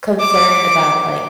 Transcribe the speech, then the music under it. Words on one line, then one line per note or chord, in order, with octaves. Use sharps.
concerned about, like,
D6